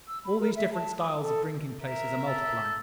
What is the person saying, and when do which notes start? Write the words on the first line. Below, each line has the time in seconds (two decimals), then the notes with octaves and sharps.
All these different styles of drinking-places are multiplying.
0.08 E6
0.25 B5
0.40 A#4
0.56 E5
0.73 A5
0.99 D#6
1.22 A4
1.83 A#4 E5
2.27 A4